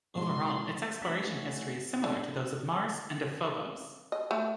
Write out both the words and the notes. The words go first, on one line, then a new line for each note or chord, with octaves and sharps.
Overall, its exploration history is similar to those of Mars and of Phobos.
B2 E3 G#3 C6
A3 C#4 D#4 F#4 E5
D3
D#5
A3